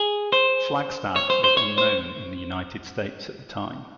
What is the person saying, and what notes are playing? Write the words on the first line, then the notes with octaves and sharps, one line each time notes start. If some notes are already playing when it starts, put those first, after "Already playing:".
Flagstad was unknown in the United States at the time.
Already playing: G#4
C5
C#5
C5
C5
C#5
C5